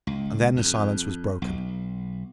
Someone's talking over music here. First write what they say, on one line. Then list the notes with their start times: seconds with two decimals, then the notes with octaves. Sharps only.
And then the silence was broken.
0.07 C#2
0.56 F2
1.42 B1